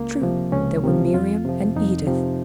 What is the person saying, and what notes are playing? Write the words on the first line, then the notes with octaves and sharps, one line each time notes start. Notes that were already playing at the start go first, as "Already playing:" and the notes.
True, there were Miriam and Edith!
Already playing: C#2 A#3
C3 F3
C#2 C#4
C3 F3
F2 F4
C3 F3
F2 D#4
C3 F3